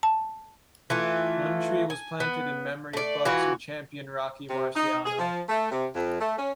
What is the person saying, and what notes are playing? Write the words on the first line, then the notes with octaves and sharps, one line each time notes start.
One tree was planted in memory of boxing champion Rocky Marciano.
A5
E3 A3 F4
G#5
B3
A3 D5
E3 F4 F#4
C3
D#4
G#4
F3
A3
C3
F2
A3
C#4